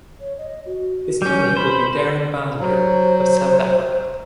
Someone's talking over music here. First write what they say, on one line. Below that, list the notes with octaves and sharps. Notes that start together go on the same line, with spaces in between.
His teammate will be Darryn Binder of South Africa.
C#5
D#5
F#4
G3 C#4 G6
B4 C5 B5
F#3 C5